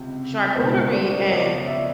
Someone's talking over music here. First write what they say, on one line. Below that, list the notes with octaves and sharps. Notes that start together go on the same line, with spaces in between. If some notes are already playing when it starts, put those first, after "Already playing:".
charcuterie and,
Already playing: C#2 C3
C#2 B2 G#3 A#4 C5
C5 D5
D5
C#5 D#5
D5 E5